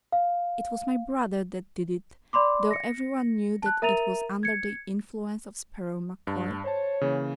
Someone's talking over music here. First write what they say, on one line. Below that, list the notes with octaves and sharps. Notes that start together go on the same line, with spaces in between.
It was my brother that did it, though everyone knew that it was under the influence of Sparrow MacCoy.
F5
D5 B5 C6 D6
A#6 C#7
A5 F#6
A#4 E5 A#5 A6 D#7 F7
G#6 C#7
G2 A5
C5 C#5 A5
C#3 E3 A#3